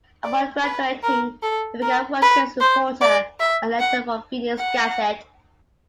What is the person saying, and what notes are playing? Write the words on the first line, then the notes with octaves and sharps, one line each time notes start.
Upon graduating, he began working as a reporter and editor for the "Phoenix Gazette".
D5
B4
A#4
A4
A#4
B4
C5
D5
E5
F#5
F#5